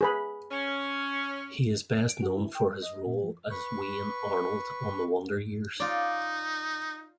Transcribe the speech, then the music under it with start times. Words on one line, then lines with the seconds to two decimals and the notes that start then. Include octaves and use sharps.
He is best known for his role as Wayne Arnold on "The Wonder Years".
0.01 G#4 B4 B5
0.51 C#4
2.08 D7
2.22 F#4
2.37 E4
2.55 G5
2.67 G3
2.82 D#5
3.06 A#2
3.23 F3
3.51 B4 C#6
5.80 D#4 F4 D5